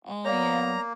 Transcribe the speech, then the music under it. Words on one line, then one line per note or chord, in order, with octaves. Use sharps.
Oh yeah.
A#3 B3 C#5 D5 F5 A#5